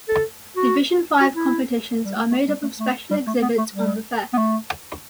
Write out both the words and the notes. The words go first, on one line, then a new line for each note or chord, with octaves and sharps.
Division Five competitions are made up of special exhibits on the fair.
A4
F#4
F#4
E4
G3
A3
A3
G3
A3
A3
G3
A3
B3
A3
G3
B3
A3